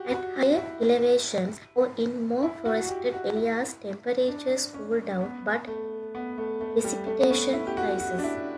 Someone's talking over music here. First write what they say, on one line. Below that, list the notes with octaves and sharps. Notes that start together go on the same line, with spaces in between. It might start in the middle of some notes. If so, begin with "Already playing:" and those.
At higher elevations or in more forested areas temperatures cool down but precipitation rises.
Already playing: F#4 G4
F#4
E4
E4
F#4
F#4
G4
F#4
E4
D4
C#4
B3
A3
B3
A3
A3
G3
A3
B3
C#4
E4
G4
F#4
F#4
D4
E4